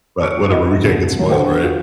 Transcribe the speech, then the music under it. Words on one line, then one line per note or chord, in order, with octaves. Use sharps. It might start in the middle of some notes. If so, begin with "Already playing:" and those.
But whatever, we can't get spoiled, right?
C#6 D6 F6 F#6 C#7 D7
E4 F#4 D#5
C2
A2 F#3
D4 A4 B4 C5 F#5 G5
F4 F#4